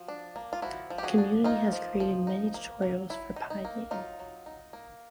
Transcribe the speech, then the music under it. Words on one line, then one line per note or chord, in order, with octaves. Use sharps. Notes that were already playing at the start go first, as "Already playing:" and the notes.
The community has created many tutorials for Pygame.
Already playing: F3 F#4
D4
A#3
F4
F3 E4 F#4
F3
G4
F#4 G#4
D4
A#3 D#4 F4
F3
F3
D#4
A#3
F#3
F#3 E4
D#4
D#4
A#3
F#3 D#4 F4
F#3
D#4
A#3